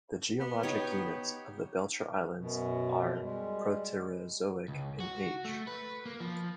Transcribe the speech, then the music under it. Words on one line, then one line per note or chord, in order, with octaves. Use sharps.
The geologic units of the Belcher Islands are Proterozoic in age.
B3
D#4 G4 C#5
F#2 B2
G3 G#3
C#2
F#4
A3
B4
A#3
F3